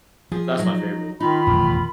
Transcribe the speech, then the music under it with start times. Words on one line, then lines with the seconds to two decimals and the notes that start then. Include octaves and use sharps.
th that's my favorite.
0.32 F3 G#4
0.58 F#3 D#4
1.20 D#3 D#4 F4 B5
1.47 E1 A1 F2 F#3